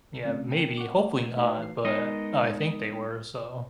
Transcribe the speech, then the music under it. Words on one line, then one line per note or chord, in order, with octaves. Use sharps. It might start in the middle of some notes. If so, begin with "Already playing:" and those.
Yeah, maybe, hopefully not, but I think they were, so
D3 A3 C4 C#4
A#4 G5
F#5 C#6 D6
A3
A3 D#4 F#4 B4 F5
E3 C7
G#3 B3 D#4 A#4 D#5